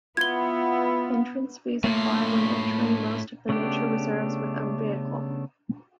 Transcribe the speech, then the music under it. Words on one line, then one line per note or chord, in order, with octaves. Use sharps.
Entrance fees apply when entering most of the nature reserves with own vehicle.
B3 E4 F4 G#6 G7
A2 A3 A#3 F4
C#3 A3 B3 D4 G4